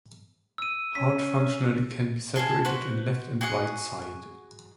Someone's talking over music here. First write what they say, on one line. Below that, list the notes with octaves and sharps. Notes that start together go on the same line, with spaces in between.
Heart functionally can be separated in left and right side.
E6 D#7
C#4 B6
F4 F#4 G#4 A4
F#4 B4 C5 F#5
F#4 G#4 D#5 F#5